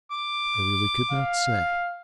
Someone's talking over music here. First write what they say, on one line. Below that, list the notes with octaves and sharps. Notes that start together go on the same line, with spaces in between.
I really could not say?'
D6
F5